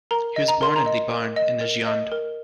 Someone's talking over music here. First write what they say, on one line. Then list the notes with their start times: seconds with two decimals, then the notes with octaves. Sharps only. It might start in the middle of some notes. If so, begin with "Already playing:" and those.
He was born in Libourne in the Gironde.
0.11 A#4 A#5
0.36 D#5
0.48 A#5
0.61 A#4 C6
0.76 A#5
0.86 D#5
1.11 A#4
1.36 D#5
1.61 A#4
1.86 D#5
2.12 A#4